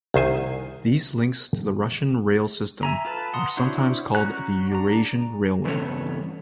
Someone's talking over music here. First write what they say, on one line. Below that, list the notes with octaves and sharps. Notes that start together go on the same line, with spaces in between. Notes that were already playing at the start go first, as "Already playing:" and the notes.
These links to the Russian rail system are sometimes called the Eurasian Railway.
C2 D#3 C5 G#5
E5 G#5 A#5
F4 A4 B4 A5
F#5 A#5 C6 D#6
D4 E4 F#4 C5 C#5
C#4 F#4 A#5 F#6
D4 A#5
E2 G2 C#3 B3 A4 C#5